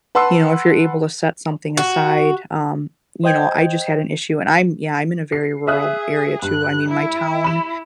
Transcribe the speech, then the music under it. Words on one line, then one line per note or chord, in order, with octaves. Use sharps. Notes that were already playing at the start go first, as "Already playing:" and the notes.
you know, if you're able to set something aside um, you know, I just had an issue, and I'm yeah, I'm in a very rural area too. I mean, my town,
B4 F#5 A5 C6 E6
F#4
C5 D#5 G5 G6 G#6
C7
G#4 E5 D#6 F#6
G2 F#6
E4
B5 E7